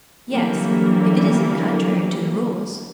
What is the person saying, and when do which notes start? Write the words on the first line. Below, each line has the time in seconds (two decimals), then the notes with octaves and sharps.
"Yes, if it isn't contrary to the rules."
0.29 D3 E3 F#3 G3 A#3